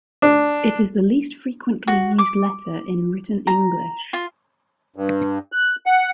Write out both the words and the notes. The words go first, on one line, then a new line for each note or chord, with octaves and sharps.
It is the least frequently used letter in written English.
D4
F#4
D6
A#5
F4
G2
F#6
F#5